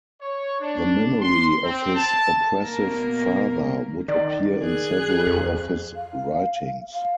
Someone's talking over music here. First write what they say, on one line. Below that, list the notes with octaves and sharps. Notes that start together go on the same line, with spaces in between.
The memory of his oppressive father would appear in several of his writings.
C#5
D4
C6
C4
A5
B2 A#3 A#4
D#3 D5
G#4 F#6
F2
F5
F5